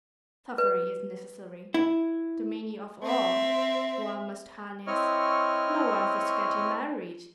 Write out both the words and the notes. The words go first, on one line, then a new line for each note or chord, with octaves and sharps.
Suffering is necessary... the meaning of all... one must harness... my wife is getting married...
B4
E4
C4 E5
C4 E4 C#5 D#5 C#6 F6